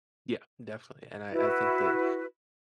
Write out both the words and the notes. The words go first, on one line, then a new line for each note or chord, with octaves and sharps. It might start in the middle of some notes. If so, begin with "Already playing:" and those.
Yeah. Definitely, and I I think that
E4 F#4 B4